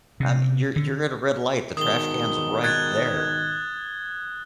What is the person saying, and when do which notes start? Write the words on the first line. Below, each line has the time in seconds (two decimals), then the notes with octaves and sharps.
Um, you're you're at a red light, the trash can's right there.
0.20 C3
0.76 D3
1.77 G#2 B2 D#3 D#6 G7
2.64 F#6 G#6 A6